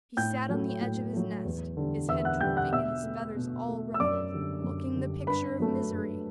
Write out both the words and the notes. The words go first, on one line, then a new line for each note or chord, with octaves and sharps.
He sat on the edge of his nest, his head drooping and his feathers all ruffled, looking the picture of misery.
A2 G5 G6
F#3 A3
A2
F#3 A3
E2
D3 G3
E2 E5 E6
F#5 F#6
D3 G3 G5 G6
F#5 F#6
B2 E5 E6
A3
B2
A3
E6
F#2 D5 D6
D3 G3
F#2
D3 G3
G2 B4 B5
F#3 A3
G2